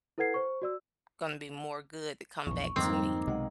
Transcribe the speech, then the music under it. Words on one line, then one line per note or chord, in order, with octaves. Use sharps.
gonna be more good that come back to me.
E4 A4 B4 F#5 G#6 C7
C5 C#6
F#4 D5 E6
A#1 E2 C#6
F2 G#2 D3 D#3 G3 A#3 C4
B1 C3 G#3 D#5 F#5